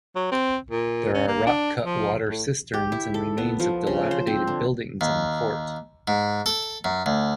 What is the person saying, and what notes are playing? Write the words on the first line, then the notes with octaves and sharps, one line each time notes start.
There are rock cut water cisterns and remains of dilapidated buildings on the fort.
F#3
C4
A#2
C#4
A#3
D4
F3
A2
G4
E4
A4
B3
F3
C#3
C5
C4
D3
D#2
G#2
A4
F#2
D2